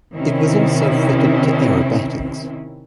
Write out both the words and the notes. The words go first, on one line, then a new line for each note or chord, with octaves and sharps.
It was also fitted to aerobatics.
C3 D#3 C4 C#4 E4